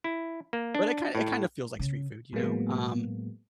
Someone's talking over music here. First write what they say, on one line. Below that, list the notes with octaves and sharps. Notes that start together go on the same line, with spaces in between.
But it kinda it kinda feels like street food, you know? Um,
E4
A#3
D4
A2
C#3
A2 F#3 G#3 A#3 B3